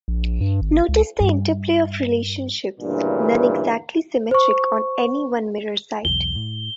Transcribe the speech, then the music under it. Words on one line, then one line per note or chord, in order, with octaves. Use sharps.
Notice the interplay of relationships, none exactly symmetric on any one mirror side.
A#1
G2
G#1
C#2
G2
D2 G2 A#2 C#3 E3
C5 C#6
B1 E2 G7
A2